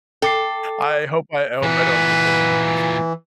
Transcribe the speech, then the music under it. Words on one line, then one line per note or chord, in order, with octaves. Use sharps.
I hope I hope I don't get there anytime soon.
A4 G5 D6 C7
A#2 E3 F#4 B4